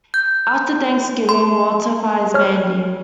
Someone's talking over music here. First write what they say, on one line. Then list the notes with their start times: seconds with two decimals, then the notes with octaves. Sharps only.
After thanksgiving Walter fires Mandy.
0.14 G6
1.29 C6
2.34 C#5 F6